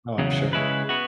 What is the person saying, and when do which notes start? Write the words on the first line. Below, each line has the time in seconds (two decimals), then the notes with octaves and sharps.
Oh, I'm sure.
0.18 E2 C#3 F#3
0.53 C#3 G#3 C#4 E4 B4
0.89 B3 F#4